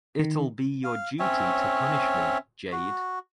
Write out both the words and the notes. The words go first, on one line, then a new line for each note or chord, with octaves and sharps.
It’ll be your duty to punish me, Jade.
D#3
F5
C4 C#4 C#5 E5
F#4